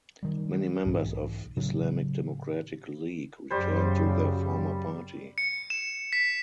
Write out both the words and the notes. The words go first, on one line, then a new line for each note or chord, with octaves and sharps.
Many members of Islamic Democratic League returned to their former party.
D#3 G3
B1 G#2 E3
A2 C#3 F#3
F#2 C#3 F#3 G3 C5
C#7
E7
B6